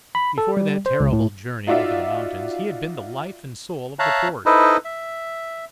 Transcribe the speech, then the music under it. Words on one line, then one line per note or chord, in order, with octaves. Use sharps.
Before that terrible journey over the mountains he had been the life and soul of the Port.
B5
A4
G3
C5
C#2
A2
D#4 F4 F#4 D5 E5 F5
C#5 E5 F5 A5 A#5 F#6
D#4 E4 A4 B4 C5 D#5
E5